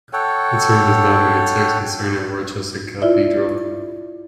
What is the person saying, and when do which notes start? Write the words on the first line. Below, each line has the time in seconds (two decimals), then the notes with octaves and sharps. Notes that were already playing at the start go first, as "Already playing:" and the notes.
The term does not mean a text concerning Rochester Cathedral.
0.13 A4 C#5 F#5 G5
3.01 E4 F4 D5 E5